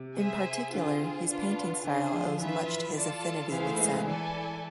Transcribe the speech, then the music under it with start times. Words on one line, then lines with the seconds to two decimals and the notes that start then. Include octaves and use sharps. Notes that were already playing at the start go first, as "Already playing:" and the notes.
In particular, his painting style owes much to his affinity with Zen.
Already playing: C3
0.18 G#4 C5 E5 G#5
0.73 D3 C4 F4 G#4 C5
1.29 B3 D4 F4
1.84 D3 D4 F4 G#4 C5
2.12 F3
2.40 E3 F4 B4 E5
2.96 F4 A4 D5 A5
3.51 E3 B3 E4 G#4 C5 F5
3.66 A3
3.78 G#3
3.93 E3
4.07 E3 E4 A4 D5 G#5